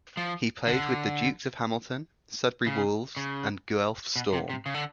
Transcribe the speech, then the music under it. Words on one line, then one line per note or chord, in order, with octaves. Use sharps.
He played with the Dukes of Hamilton, Sudbury Wolves and Guelph Storm.
F3
D3
C#3
C#3
B2
C3
C3
C#3
D3